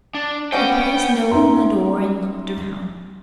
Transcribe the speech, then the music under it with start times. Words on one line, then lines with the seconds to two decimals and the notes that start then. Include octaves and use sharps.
He put his nose in the door and looked around.
0.14 D4
0.52 F3 G3 B3 C#4 F#4 G5
1.31 C#4 D#4 E5 A#5 C6